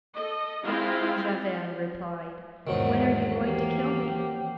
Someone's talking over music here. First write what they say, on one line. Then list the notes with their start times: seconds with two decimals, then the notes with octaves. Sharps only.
Javert replied: "When are you going to kill me?"
0.14 A4 D#5
0.64 G#3 C4 E4 F4 F5
2.67 E2 G#2 D#3 F#3 C4
3.44 E3 A#3 G4